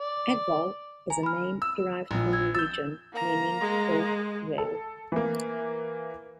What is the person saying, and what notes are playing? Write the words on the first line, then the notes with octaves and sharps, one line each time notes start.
Eckvoll is a name derived from Norwegian meaning "oak vale".
D5
G#5 A#5
B5 F6
E6
A#1 F3
E6 G#6
E6 G6 A6
A#3 A#5
G#3
A4
E3 A#3